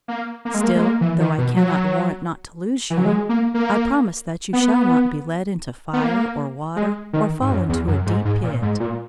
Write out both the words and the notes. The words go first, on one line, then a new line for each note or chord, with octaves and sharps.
Still, though I cannot warrant not to lose you, I promise that you shall not be led into fire or water, or fall into a deep pit.
A#3
A#3
G#3
A#3
G#3
A#3
E3
D#3
B2
F#3
E3
F#3
G#3
A#3
A#3
B3
B3
A#3
G#3
D#3
G#2
F#2
E2
F#2
G#2
G#2
A#2
G#2
A#2